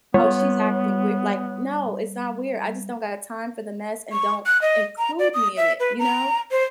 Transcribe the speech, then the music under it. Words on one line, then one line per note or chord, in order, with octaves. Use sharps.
"Oh, she's acting weird" like, "No, it's not weird, I just don't got time for the mess, and don't include me in it," you know?
G3 B3 C#5
C#6
F#6
D#5
A#5
D5
D#6
E5
B4
A#5
C5